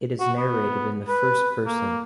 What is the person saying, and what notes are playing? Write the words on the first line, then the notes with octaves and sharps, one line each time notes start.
It is narrated in the first person.
F#4
B3
B4
A#3